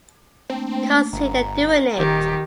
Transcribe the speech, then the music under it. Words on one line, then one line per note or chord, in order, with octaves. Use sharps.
Consider doing it!
A3 A#3 C4 D4
G1 A#5
D#1 D#3 G4